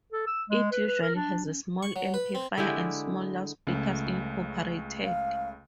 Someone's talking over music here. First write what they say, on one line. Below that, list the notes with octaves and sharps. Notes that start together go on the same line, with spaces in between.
It usually has a small amplifier and small loudspeakers incorporated.
A4
E6
G#3
B4
B4
A#4
D4
C#4
C#6
F#3
B4
C4
D3 G#3 E4 G4
C#2 C#3 A3
F5